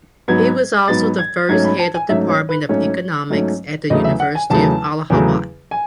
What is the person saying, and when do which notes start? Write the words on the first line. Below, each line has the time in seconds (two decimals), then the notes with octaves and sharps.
He was also the first Head of Department of Economics at University of Allahabad.
0.28 G#2 F#3 B3 G#6
0.88 G#2 F#3 B3 A6
1.19 G#6
1.49 G#2 F#3 A3 C#4 G#6
1.64 B5
1.79 A5
1.94 G#5
2.09 G#2 F#3 A3 C#4 E5
2.29 C#5
2.49 B4
2.69 G#2 F#3 A3 C#4 C#5
3.30 G#2 F#3 A3 C#4
3.90 E2 C#3 F#3 A3 D#5
4.04 E5
4.20 F#5
4.35 G#5
4.50 E2 C#3 F#3 A3 A5
5.10 E2 C#3 F#3 A3
5.71 G#5